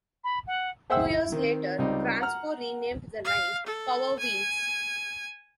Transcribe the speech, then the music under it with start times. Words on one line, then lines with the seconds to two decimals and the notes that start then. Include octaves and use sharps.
Two years later, Kransco renamed the line "Power Wheels".
0.24 B5
0.47 F#5
0.90 G#4 C5 E5 F#5 G5 E6
1.09 E4
1.32 D#3 C4
1.78 C#2 G3 C4 D#4
2.21 F#5 A#5 F6
3.24 F5
3.66 A4
4.19 G#5